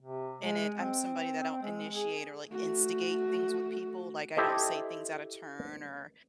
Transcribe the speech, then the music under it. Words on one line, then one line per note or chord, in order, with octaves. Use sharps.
and it I'm somebody that I don't initiate or, like, instigate things with people, like, I don't say things out of turn or,
C3
G#3
C4
G#3
G#4
A3 F#4
E4 G4 A4 C5 D#5